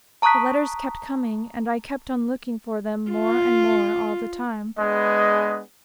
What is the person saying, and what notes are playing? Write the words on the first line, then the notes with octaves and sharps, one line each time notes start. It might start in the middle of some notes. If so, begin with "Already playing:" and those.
The letters kept coming, and I kept on looking for them more and more all the time.
A5 A#5 C#6 D#6 F#6 B6
F4
G#3 B3 D4 G#4 B4 D#5